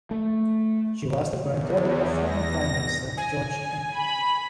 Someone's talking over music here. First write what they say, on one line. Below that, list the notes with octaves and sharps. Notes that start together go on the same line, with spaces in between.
She was the granddaughter of former Prime Minister George Canning.
A3
E2
A#6
G#5
B5